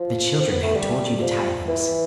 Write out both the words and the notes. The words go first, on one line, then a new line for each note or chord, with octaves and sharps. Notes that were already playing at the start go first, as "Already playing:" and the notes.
The children have told you the tidings.
Already playing: F3
C4
B3
A3
G3
F3
E3